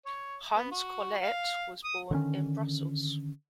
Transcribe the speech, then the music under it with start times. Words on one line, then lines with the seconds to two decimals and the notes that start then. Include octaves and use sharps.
Hans Collaert was born in Brussels.
0.06 C#5
0.56 B3
0.71 F#4
1.22 F5
1.84 D#6
2.11 D3 D#3 C#4